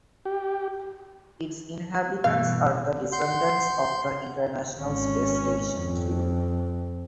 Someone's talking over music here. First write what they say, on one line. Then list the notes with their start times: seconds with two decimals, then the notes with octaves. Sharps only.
Its inhabitants are the descendants of the International Space Station crew.
0.25 G4
2.24 G2 B2 E3 F5
3.12 F#5 C6 G6
4.80 G#1 C#4
5.80 F2